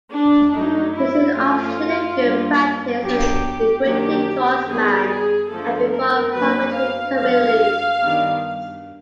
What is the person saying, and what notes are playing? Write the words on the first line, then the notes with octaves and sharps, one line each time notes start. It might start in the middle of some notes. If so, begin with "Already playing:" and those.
He soon obtained a good practice as an equity draughtsman and before parliamentary committees.
D4
F#3 A3 D4 D#4
E4
F3 A3 C#4 F4
G3 A#3 D4
F#3 B3 D4 G4
D#3 F#3 A#3 D4 G4
D#3 G3 B3 G#4
G#4
D3 F3 A3 A4
A#4
D3 F#3 A#3 D4 B4
F5
D3 F3 G#3 F5
D#3 G3 B3 D4